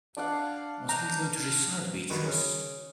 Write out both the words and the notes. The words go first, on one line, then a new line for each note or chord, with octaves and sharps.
What are you going to recite, Beatrice?
D4 D5 F5 F#5
A#5 G6
F6
G2 D#3 F#4 B5
C#3